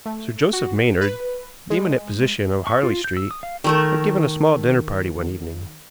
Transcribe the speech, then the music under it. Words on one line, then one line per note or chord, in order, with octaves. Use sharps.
Sir Joseph Maynard, the eminent physician of Harley Street, had given a small dinner party one evening.
A3
F#4
B4
G#3
C#6
F4
G6
E6
D#6
F5
D#3 A3 A#4